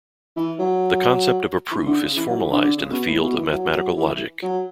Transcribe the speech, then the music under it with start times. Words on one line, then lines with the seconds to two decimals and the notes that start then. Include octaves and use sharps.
The concept of a proof is formalized in the field of mathematical logic.
0.36 E3
0.59 F#3
1.71 E3
1.86 D3
2.01 C#3
2.16 E3
2.28 F#3
2.39 E3
2.51 D3
2.61 D3
2.77 C#3
2.91 B2
3.07 A2
3.21 B2
3.36 E3
3.52 F#3
3.74 F#3
3.96 E3
4.42 F#3